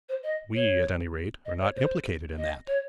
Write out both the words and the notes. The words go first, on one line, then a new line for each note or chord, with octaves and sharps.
"We at any rate are not implicated in that."
C5
D#5
C#5
D#5
C#5
C5
D#5
C#5